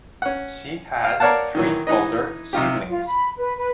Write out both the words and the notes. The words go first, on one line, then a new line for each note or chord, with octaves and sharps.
She has three older siblings.
C#4 F#5
F5
A#4 C#5 D5 F5 F#5 A5
D#3 E3 F#3
E3 D#4 B4 D#5
C3 D#4 F4 G4
F4
B5
B4
B4